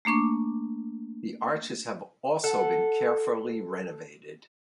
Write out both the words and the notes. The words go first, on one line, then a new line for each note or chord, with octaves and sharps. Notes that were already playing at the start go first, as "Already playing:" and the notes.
The arches have also been carefully renovated.
A3 A#3 D4 C#6 D6
A4 F#5